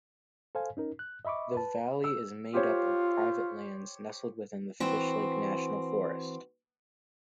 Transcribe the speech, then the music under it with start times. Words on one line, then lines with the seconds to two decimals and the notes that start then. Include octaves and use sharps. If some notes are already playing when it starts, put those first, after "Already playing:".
The valley is made up of private lands nestled within the Fishlake National Forest.
0.55 A4 C5 F5 G#5
0.77 C#4 D#4 A#4
0.99 F#6
1.25 D#5 E5 B5 C#6 D6
1.55 B4 A5
2.04 E6
2.54 F4 G4 C5 C#5
4.80 E3 C4 F#4